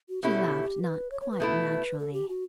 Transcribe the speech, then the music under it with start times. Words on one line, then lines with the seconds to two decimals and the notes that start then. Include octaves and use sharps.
She laughed, not quite naturally.
0.09 F#4
0.23 B2 A3 C#4 E4 G4
0.82 B4
1.11 C#5
1.21 C#5
1.31 B4
1.40 B2 A3 E4
1.99 A4
2.13 G4
2.29 F#4